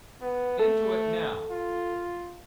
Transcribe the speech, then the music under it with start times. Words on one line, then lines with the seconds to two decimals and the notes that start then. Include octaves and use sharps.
Into it, now!
0.21 B3
0.59 A3 A4
1.51 F4